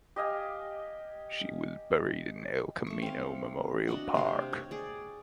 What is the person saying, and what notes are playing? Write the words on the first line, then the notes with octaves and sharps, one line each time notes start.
She was buried in El Camino Memorial Park.
G4 D#5 F5 G#5
A3 C#6
C4 F5
D4 F#4 D#5 F#5
C3 C4 F5 C6
C#5
G#4 D5